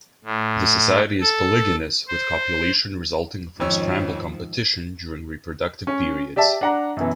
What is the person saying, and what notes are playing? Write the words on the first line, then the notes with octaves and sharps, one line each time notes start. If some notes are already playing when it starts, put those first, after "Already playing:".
The society is polygynous with copulation resulting from scramble competition during reproductive periods.
A2
A4
C5
F2 G#2 D#3 F3 C#4 E6
C#4
G4 D5 E5 A5
D4 F#5 A#5
F#2 B2 E3